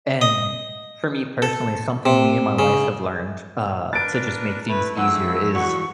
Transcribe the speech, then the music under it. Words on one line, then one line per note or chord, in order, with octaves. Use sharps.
and for me personally, something me and my wife have learned, uh, to just make things easier is
D#5
A4
C3
C#3
D4 A#4 B4 A6 D7
A3 E4 B4
F2 G#3 F#5 E6
E3 F#4 F#5 C#6